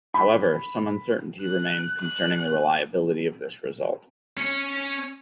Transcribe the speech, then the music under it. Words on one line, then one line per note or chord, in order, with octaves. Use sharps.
However, some uncertainty remains concerning the reliability of this result.
B5
F#6
F#6
C#4 C#5